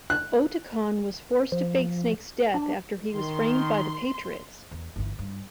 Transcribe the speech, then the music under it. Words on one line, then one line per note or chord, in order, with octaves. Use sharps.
Otacon was forced to fake Snake's death after he was framed by the Patriots.
F#6
F3
D4
D#3 C6
E2
G1 E3
G2